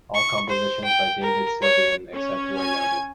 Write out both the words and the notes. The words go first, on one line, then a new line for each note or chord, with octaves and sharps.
All compositions by David Sylvian except where noted.
C#6
C5
G5
A#4
C#5
C#4 C#5
G#5 G#6